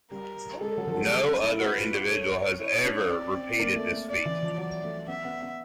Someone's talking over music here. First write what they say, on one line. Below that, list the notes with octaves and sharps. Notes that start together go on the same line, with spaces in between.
No other individual has ever repeated this feat.
G3 A#4
G#3 A4
F#3
F3
F#3
G#3
G3
C#4
E4
F#4 B4
F4
F#4
A4 C#5
E4 C#5
D4
C4 D5
C4
A#3
A3
A3
D5
E3
F3
F#3 D5
A3
B3 E5
B3
B3